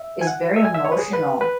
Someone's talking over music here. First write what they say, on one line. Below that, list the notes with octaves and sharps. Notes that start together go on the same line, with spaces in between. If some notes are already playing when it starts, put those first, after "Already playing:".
is very emotional
Already playing: E5
G#5
F#5
E5
G#5
E5
C#5
B4
G#4
B4
B4